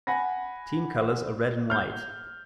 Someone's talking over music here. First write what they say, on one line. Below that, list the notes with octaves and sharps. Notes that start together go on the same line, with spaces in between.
Team colours are red and white.
F#5 G#5 B5 A#6
F6 G6